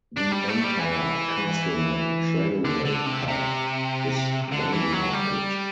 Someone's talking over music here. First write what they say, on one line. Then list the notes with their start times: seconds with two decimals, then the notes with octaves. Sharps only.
The entire Castleman Trailway path is waymarked.
0.17 D4
0.31 G3
0.48 A3
0.63 G3
0.79 E3
2.65 D3
2.85 D3
3.06 C3
3.28 C3
4.52 D3
4.72 E3
4.93 F#3
5.13 G3